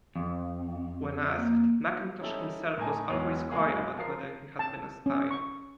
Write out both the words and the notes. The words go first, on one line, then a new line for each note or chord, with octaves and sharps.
When asked, Mackintosh himself was always coy about whether he had been a spy.
F2
A#3
G3 C#4 D#4 E4 A4
A2 D#4 A#4 G#5 A5
E1 F#3 G#3 B3 C#5 F7
D2 C#3 G#3 A#3 G#4
F#2 G#3
F3 F4 A#4 C7
A5
C#4
C#6